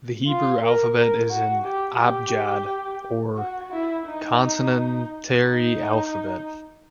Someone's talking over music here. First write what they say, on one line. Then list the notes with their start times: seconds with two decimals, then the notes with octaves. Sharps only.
The Hebrew alphabet is an "Abjad" or consonantary alphabet.
0.27 F4
0.61 A#4
0.95 A#4
1.30 F#4
1.64 G4
1.99 G4
3.37 F#4
3.72 E4
4.06 D#4
5.44 D#4